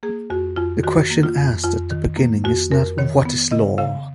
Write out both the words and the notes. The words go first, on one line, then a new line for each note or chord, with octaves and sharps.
The question asked at the beginning is not What is law?
A#3 G#4
F2 F#4
F2 F4
D#3 F#4
A#3
F4
F2
F2 F4
D#3
A#3
F2 F#4
F2 A#4
D#3 C#5
B3
C#3 D#5
C#3 F5